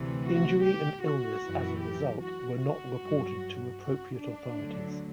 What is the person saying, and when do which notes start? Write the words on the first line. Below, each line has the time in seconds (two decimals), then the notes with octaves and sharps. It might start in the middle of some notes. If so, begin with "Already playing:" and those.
Injury and illness as a result were not reported to appropriate authorities.
Already playing: D2 C3 E3
0.24 F#4
0.63 G4
1.03 F#4
1.42 F#2 E3
1.81 G4
2.21 F#4
2.60 F#4
3.00 G2 F#3
3.78 F#4
4.18 D4
4.57 D2 D3 F#3